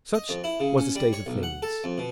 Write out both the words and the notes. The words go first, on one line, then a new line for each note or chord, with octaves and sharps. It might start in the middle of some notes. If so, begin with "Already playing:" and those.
Such was the state of things.
D#5
F2
E4
C#3
C#4
G3
C#5
B1
F#5
A4
F2
B2